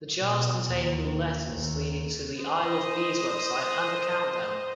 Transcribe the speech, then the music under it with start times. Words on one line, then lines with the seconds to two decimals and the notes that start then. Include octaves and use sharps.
The jars contained letters leading to the I Love Bees website and a countdown.
0.19 B2
0.71 D#2
1.49 D#2
2.42 C5 D#5